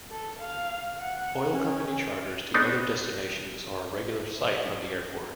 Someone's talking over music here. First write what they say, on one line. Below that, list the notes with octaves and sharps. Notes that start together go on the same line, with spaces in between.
Oil company charters to other destinations are a regular sight from the airport.
A4
F5
F#5
C#4
G#3 A3 B3 C4 D4 D#4